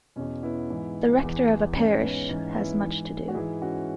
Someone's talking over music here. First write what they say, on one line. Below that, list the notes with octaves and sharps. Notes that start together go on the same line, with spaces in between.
The rector of a parish has much to do.
E2 B2 C#4
B3 E4
G#2 E3
E2 E3
G#2 E3 C#4
C#4
B3
G#2 E3 C#4
B3 E4
G#2 E3
F#4
G#2 E3 E4 G#4
C#4 F#4